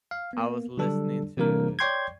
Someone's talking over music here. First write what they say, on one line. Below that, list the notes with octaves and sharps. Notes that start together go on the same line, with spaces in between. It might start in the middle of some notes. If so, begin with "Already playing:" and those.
I was listening to
F5
A#3 B3
D3 F#3 G3 D4 A4
C3 E3 G3 A#3 D4 A#4
C#5 D5 G5 C6 G6 G#6